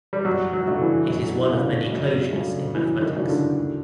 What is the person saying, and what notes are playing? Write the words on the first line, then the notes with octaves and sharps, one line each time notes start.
It is one of many closures in mathematics.
G3
F#2 F#3
F#3
C#3 F#3 A3 D4
E3
F#2
C#3 F#3 A3 D4
F#2
C#3 F#3 A3 D4
F#2 E3
D#3
C#3 F#3 A3 D4
D3
D2